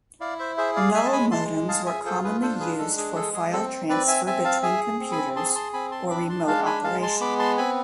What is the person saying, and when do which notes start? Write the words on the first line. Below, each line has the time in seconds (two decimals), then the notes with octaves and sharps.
Null modems were commonly used for file transfer between computers, or remote operation.
0.20 E4 D5 F5
0.39 C5 E5
0.57 G#4 C5 E5
0.76 D5 F5
0.94 G#3 E5 G#5
1.05 A5
1.13 G#5 B5
1.31 G#3 A5 C6
1.69 G#4 F5 A5
1.87 E5 G#5
2.05 F4 A4 C5
2.24 G#4 B4
2.42 D4 A4 C5
2.60 G#4 B4
2.79 G#3 A4
2.98 G#4
3.15 G#4 A4
3.34 G#4
3.53 C4 A4
3.89 C4 B4 D5
4.07 E5 G#5
4.26 C4 E5 G#5
4.44 F5 A5
4.63 G#4 E5 G#5
5.00 C4
5.12 G#5 B5
5.36 G#4 A5 C6
5.55 A5 C6
5.73 C4 G#5 B5
5.92 A5 C6
6.10 D4 B5 D6
6.29 A5 C6
6.47 G#3 F5 A5
6.66 G#5 B5
6.84 G#3 F5 A5
7.02 A5 C6
7.21 B3 B5 D6
7.39 A5 C6
7.57 C4 G#5 B5